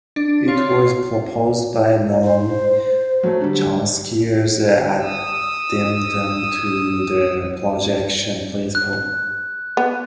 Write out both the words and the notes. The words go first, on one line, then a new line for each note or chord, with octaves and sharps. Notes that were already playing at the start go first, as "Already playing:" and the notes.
It was proposed by Noam Chomsky as an addendum to the Projection Principle.
D4
F4 C#5 C7
C5
F#3 A3
D3 G3
D#6 E6
F#6
B3